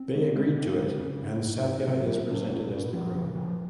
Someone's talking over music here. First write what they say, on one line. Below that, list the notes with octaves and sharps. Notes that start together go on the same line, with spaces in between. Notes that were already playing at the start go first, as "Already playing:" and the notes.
They agree to it and Sathya is presented as the groom.
Already playing: C4
G#3
G#3
C#4
C#3
C#3
G#2
G#2
G#2
F#3
A#2
C#4
A#2
A#2
F3
C#3
F3